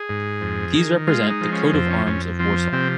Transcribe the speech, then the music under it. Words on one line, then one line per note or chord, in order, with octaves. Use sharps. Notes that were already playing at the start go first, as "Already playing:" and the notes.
These represent the coat of arms of Warsaw.
Already playing: G#4
G#2
F2
D#3
G#3 F4
D#4
F3
C#4
F2 C4
C#4
F2 C#4
F3 C4
C3 C4